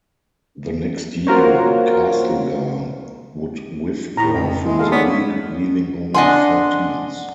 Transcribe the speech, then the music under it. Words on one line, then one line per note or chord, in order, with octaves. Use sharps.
The next year, Castlegar would withdraw from the league, leaving only four teams.
A#3 F4 F#4 A#4 C5 C#5
A2 A#5
F2
G#3 E4
G#4 A4 F5
B3 D#4 C#5 D5
D4 D#5 F#5 G#5 C6